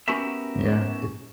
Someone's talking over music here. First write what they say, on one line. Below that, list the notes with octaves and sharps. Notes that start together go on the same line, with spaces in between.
Yeah, it
B3 C#4 F#4 G4 A#4 E5